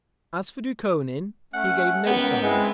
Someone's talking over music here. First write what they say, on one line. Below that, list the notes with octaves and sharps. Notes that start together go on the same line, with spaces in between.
As for Dukhonin, he gave no sign.
A3 C#4 F#5
C#2 B3 C#4 A#4 F#5 G5 G6
G#3 C4 E4 B4